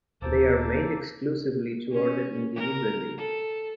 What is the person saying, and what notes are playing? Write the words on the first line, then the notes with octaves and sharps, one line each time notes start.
They are made exclusively to order individually.
D#1 A#3 A4 C5 D6
C#4
A#4
A4